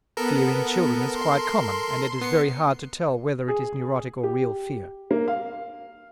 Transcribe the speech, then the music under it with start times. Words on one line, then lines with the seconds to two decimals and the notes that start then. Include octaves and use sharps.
Fear in children is quite common and it is very hard to tell whether it is neurotic or real fear.
0.17 B3 A4 A#4 A#5
1.14 C6
2.21 B3 C7 C#7
3.48 G#4
4.23 G4
5.11 A#3
5.28 F5